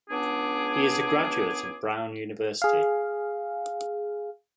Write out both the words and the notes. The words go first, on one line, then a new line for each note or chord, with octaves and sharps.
He is a graduate of Brown University.
C#2 B3 D4 G#4 D6
G#4 F5